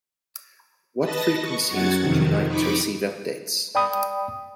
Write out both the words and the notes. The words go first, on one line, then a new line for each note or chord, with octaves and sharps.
What frequencies would you like to receive updates?
B4 D#5 A5 A6 A#6
C#6
F#2 F#4 F#5 G#6 A6
F2 C3 D#3
F2 D#4 B5 C#6 D6
D5 G5 B5 D#6